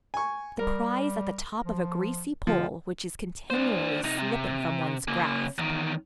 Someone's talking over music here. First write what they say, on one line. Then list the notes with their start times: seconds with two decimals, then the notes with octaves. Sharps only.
The prize at the top of a greasy pole which is continually slipping from one's grasp.
0.14 G#5 C#6
0.59 G3 A#4
1.63 F3
2.47 D3 F3
3.50 D4 C5
4.04 C3 D#4
4.18 C3
5.08 C#3 A#3
5.58 E2 D#3